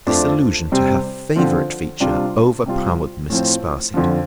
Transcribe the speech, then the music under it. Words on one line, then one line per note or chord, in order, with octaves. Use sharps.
This allusion to her favourite feature overpowered Mrs. Sparsit.
F2 F3 A3 D4
C3 G3 C4
D3 F3 C4
C3 G3 D4 F4
C3 G3 F4
A2 F3 C4
F2 D3 F3